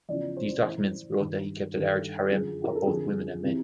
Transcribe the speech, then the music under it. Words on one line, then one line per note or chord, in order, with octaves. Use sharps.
These documenters wrote that he kept a large harem of both women and men.
E2 C#3 F3 D5
C5
A2 E3
G2 D#3
G2 D#3 A4
F#2 D3 F3 G#4
A#4
A4
F2 D3 F3 G#4
C3 E3